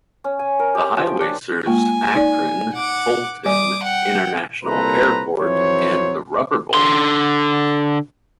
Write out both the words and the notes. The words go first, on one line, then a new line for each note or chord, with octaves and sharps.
The highway serves Akron Fulton International Airport and the Rubber Bowl.
C#4
G#5
A#4
G4
F3
G5
D4
G#3 A#3 F4 G#5
D#4 D5
F#5 D6
G3 D5 G#5 D6 D#6
F#5 G5
C2 A#2 A4 B4 C5 A#5
F2 E3 F#3 C5 C#5
D3 C6